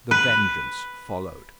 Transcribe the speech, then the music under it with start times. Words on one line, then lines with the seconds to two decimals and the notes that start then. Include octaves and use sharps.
The Vengeance followed.
0.11 B4